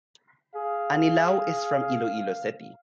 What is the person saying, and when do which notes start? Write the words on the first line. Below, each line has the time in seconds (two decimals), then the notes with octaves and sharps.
Anilao is from Iloilo City.
0.55 G#4 F5